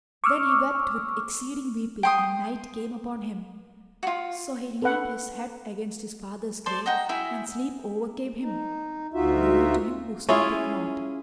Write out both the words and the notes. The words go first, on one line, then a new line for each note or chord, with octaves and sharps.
Then he wept with exceeding weeping and night came upon him; so he leant his head against his father's grave and sleep overcame him: Glory to him who sleepeth not!
C#6 D6 E6 F6
G5 C6 D#6
F4 F#4
A4 B4 F#5
A4 C5 D5 C6
D#5 F#5 G5 A#5
E4 F#4 G#4 E5
D#4
D2 D#4 F4 F#4 E5
C#4 E4 F4 G#4